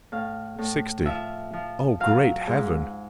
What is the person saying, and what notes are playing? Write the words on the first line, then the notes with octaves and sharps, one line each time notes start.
Sixty--oh, great heaven!
A2 F5
A2
F3 E5
F3
F#3 F5
G#2